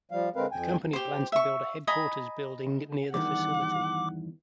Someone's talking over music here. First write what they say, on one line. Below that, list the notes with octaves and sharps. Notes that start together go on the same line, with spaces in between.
The company plans to build a headquarters building near the facility.
F3 G3 F5
D3 G#3 C4 A#4 B4 F5
F2 G5 G#5
G4 C5
E5 C#6
D#5 G#5 A#5 B5
E2 G2 D#3 F#5 D6